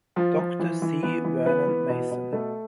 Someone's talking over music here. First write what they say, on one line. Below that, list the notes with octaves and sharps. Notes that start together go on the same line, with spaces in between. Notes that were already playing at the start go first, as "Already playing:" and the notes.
Doctor C. Vernon Mason.
F3 F4
F3
E3
E3
E3 B3 B4
E3
E3 B3 B4
E3
B2
B2
B2 A3 A4